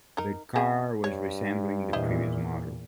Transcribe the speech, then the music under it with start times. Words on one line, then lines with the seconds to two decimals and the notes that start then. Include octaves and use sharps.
The car was resembling the previous model.
0.17 D#4 A#4
0.55 C4 G#4 E5
1.04 G2 C#5
1.93 E2 A#2 E4 C5 D#5